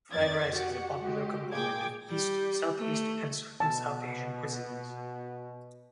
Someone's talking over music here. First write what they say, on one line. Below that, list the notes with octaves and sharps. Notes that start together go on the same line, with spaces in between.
Fried rice is a popular component of East, Southeast and certain South Asian cuisines.
F2 D#3 D5 G#6 A6
F#4 G4 F#5
G#3 F#4 G4
A#2 G#4 G5 D6 G#6
G3
A3
B2 A5